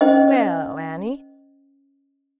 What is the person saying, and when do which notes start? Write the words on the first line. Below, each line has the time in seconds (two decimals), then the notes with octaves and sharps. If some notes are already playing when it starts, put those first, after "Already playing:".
"Well, Annie?"
0.01 C#4 C5 D#5